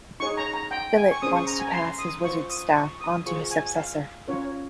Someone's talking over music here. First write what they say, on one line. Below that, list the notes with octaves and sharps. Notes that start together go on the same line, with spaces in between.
Billet wants to pass his wizard's staff on to his successor.
D#4 G#4 C#5 C#6
A#5
A#5
G5
G#5
C#6
C#4 G#4 C5 D#6
C#6
A#5
G#5
A#5
C6
D#6
F4 C5 C#6
D#6
C#6
D#6
F4 G#4 C5 C#6
G#5
F5
C#4 F4 A#4 C#5